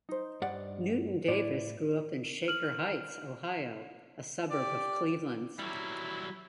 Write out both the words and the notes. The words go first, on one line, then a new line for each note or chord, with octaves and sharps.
Newton-Davis grew up in Shaker Heights, Ohio, a suburb of Cleveland.
D#4 C5
G2 D5 F#5
A2 E4 D5
F6 F#7
G4 D5
F#3 G3 E4